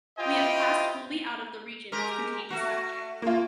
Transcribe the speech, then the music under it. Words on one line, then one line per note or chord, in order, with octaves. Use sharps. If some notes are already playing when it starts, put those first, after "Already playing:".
We have passed wholly out of the region of contagious magic.
E4 F4 G4 C5 D#5 G5
G#3 G4 A#4
A3 F#4
A#3 F4